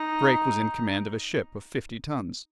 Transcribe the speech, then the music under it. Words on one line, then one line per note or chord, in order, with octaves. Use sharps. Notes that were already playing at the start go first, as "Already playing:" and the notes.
Drake was in command of a ship of fifty tons.
Already playing: D#4